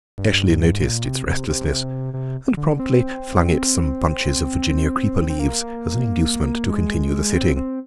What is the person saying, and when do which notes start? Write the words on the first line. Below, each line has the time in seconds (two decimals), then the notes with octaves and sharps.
Eshley noticed its restlessness and promptly flung it some bunches of Virginia creeper leaves as an inducement to continue the sitting.
0.18 G2
0.74 G#2
0.84 A#2
1.05 C3
1.27 C3
1.49 C3
2.14 C3
2.57 D3
2.79 C4
5.30 C4
5.39 A#3
6.70 G#3
7.35 C4
7.57 C4